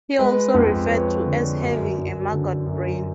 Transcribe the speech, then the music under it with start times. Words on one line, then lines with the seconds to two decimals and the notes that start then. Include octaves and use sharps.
He is also referred to as having a "maggot brain".
0.19 G#3 B4
0.54 F2
0.85 B4
0.89 F3 C#5
1.25 D3
1.60 F#2
1.96 F#2
2.32 D3
2.66 F#2